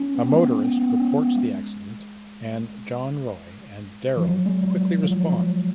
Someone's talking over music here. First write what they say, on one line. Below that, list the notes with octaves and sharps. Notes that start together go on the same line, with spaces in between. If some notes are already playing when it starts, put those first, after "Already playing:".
A motorist reports the accident and Jon Roy and Darryl quickly respond.
Already playing: C#4
B3
G#3
A#3
C#4
B3
A#3
B3
B3
C#4
B3
G#3
F3
F#3
G#3
F#3
F#3
F3
F#3
F3
F#3